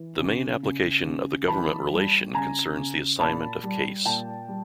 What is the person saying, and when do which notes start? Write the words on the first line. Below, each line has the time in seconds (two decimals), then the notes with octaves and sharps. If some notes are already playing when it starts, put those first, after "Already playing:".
The main application of the "government" relation concerns the assignment of case.
Already playing: E3
0.19 C#3
0.63 C#3
1.05 C#3
1.48 E3 A5 B5
1.91 G3
2.34 C#3 G#5 A#5
2.77 C#3
3.19 A#2 A5 B5
3.63 G3
4.05 A#2 G5 A5
4.48 G3